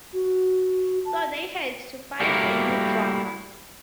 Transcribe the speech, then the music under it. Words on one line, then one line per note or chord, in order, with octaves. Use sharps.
So they had to find a new drummer.
F#4
A5
G3 A3 A#3 E4 F#4 A#4